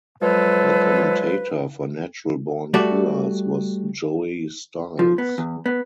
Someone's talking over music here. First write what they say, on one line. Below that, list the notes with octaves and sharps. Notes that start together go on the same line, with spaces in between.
The commentator for Natural Born Killaz was Joey Styles.
F3 F#3 G#3 A4 B4
G3 A3 F#4 D5
F3
B3
E2
B3